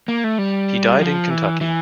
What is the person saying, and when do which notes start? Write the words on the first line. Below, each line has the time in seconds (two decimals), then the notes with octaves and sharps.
He died in Kentucky.
0.08 A#3
0.24 A3
0.38 G3
0.99 F3
1.30 E3
1.61 E3